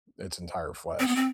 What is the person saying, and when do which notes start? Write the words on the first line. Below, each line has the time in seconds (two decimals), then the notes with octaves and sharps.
its entire flesh.
0.99 C4
1.08 B3
1.16 C4